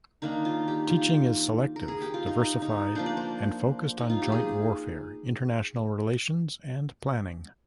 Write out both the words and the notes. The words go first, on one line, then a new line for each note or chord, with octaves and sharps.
Teaching is selective, diversified, and focused on joint warfare, international relations, and planning.
D#3 A#3 D4 D#4
F4
G4
F4
A#4
G#4
G4
F4
D#4
D#4
F3 A#3 D4 C5
D5
C5
D#4
F4
G4
G#4